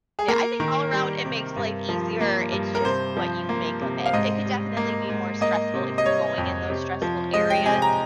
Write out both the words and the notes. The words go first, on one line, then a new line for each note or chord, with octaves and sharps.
Yeah, I think all around it makes life easier, it's just what you make of it. It could definitely be more stressful, if you're going in those stressful areas,
G#4
A#3 A#4
D#3
G3
C3
G2
F3
A#3
G2
A#4
C3 C5
F3
A#3
C3
F5
G#2 D#5
G3
A#3
G#2
A#3 D#5
C3
D#5
G3 C#5
F2
C3
F3
G#3 D#5
G5
C3 G#5
A#5